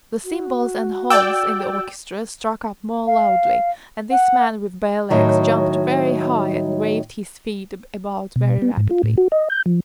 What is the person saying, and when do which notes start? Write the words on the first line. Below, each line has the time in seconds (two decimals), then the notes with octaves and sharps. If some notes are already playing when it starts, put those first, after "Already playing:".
The cymbals and horns in the orchestra struck up more loudly, and this man with bare legs jumped very high and waved his feet about very rapidly.
0.25 F#4
1.10 D5 G5 E6
3.06 F5
4.11 F#5
5.10 A2 D#3 F#3
8.36 B2
8.62 B3
8.77 G#2
8.91 F4
9.03 A2
9.18 F#4
9.32 D#5
9.50 G6
9.66 F3